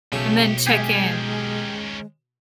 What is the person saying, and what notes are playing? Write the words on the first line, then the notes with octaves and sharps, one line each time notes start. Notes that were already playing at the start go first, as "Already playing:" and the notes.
And then check-in.
B1 C#3 A3 G4 C#5 C#6
D#3 G#3 C#4 G4 G#4